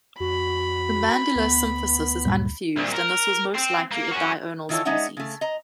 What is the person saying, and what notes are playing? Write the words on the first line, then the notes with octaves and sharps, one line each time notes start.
The mandibular symphysis is unfused and this was most likely a diurnal species.
F2 F#4 B5
D2 B3
G2 A#2 G3
C2 A#2
A#4
C4
A#3
C#4 F#4
D#3 E3 E4 F4 A4 C#5
G#3 C#4 D#4 D5 E5 F#5
C#3 A3
D#5 A#5